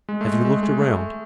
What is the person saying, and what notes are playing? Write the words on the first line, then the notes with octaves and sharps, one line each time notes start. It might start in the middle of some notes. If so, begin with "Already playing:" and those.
"Have you looked around?"
G#3
A3
G#3
G#3
G#3
A3